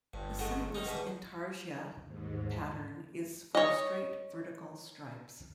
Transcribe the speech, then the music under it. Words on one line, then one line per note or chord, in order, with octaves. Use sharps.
The simplest intarsia pattern is for straight vertical stripes.
G1 G2
F#3 G#3 A3
D#3 C#4 D#4
E2 B2 E4
D#2 G#2
C#5 D#5